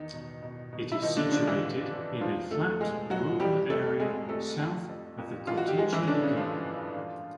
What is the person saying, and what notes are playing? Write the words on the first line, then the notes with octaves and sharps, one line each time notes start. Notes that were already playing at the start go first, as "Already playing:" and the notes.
It is situated in a flat, rural area, south of the Kotychi lagoon.
Already playing: E2 D#3 D#4
B2
B2
B2
E4
D#3 F3 D#4
D3 D4
D3 F3 D4
E3 E4
A#2
F3
E2 F3 F4
E2 A3 A4
B2 G#3 G#4
B2 F#3 F#4
F2 G3 G4
F2 A3 A4
C3 G#3 G#4
F2 A3 A4
F2
F2
F2
E3 F4
F#4
G4
D#3 G#3 G#4
E3 E4
C#4
D3 D#3 D4
C#3 C#4
G2 F3 F4
G2
A#2